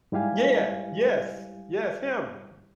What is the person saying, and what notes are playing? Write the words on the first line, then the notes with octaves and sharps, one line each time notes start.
Yeah, yeah. Yes. Yes, him.
G#2 G3 E4 G4 F5 G#5